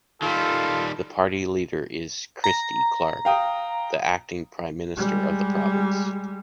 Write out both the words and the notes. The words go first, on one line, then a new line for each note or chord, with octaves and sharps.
The party leader is Christy Clark, the acting prime minister of the province.
D#3 G3 F4 A4
A#5
F5 G5 D#6
G3 G#3